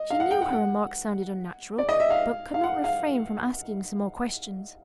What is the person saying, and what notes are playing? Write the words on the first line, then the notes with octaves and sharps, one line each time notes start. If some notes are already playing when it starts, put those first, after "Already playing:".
She knew her remarks sounded unnatural, but could not refrain from asking some more questions.
Already playing: D#5
F5
F#5
G5
F#5
F#5
D5
D#5
E5
F5
F5
F#5
F5